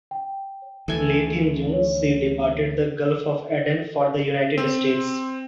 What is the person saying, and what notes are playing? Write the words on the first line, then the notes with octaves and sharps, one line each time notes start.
Late in June she departed the Gulf of Aden for the United States.
G5
D2 E3 A4 G#5
C#5
C4